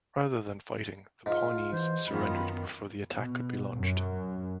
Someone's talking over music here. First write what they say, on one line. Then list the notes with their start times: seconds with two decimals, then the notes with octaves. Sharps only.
Rather than fighting, the Pawnees surrendered before the attack could be launched.
1.26 G#2 F4
1.72 E3 C5
2.07 F#2 D#3 B3 F4 B5
3.15 B2
3.77 F#2